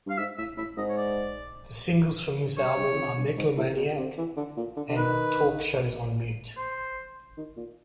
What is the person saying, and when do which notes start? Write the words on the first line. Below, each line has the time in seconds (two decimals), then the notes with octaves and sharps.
The singles from this album are "Megalomaniac" and "Talk Shows on Mute".
0.06 G2 F5
0.18 G#2 E5
0.38 A2 E5
0.57 A2 E5
0.77 G#2 D#5
0.89 C#5
0.97 D5
2.57 G2 C#5
2.77 G2
2.91 E2
2.97 F2
3.17 G2
3.37 G#2
3.57 A2
3.77 B2
3.97 C3
4.17 E3
4.37 D3
4.57 A#2
4.77 D3
4.89 D3
4.97 D#3 B4
6.57 C5
7.37 D#3
7.57 A#2